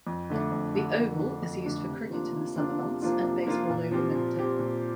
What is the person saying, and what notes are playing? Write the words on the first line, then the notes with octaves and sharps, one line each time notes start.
The oval is used for cricket in the summer months and baseball over winter.
F2
D3 A3 D4
F2
D3 A3 D4
F2
D3 A3 D4
F2
D3 A3 D4
C3
F3 A#3 D4 F4
C3
F3 A#3 D4 F4
C3
F3 A#3 D4 F4
C3
F3 A#3 D4 F4
A#2
F3 C4 G4
A#2
F3 C4 G4
A#2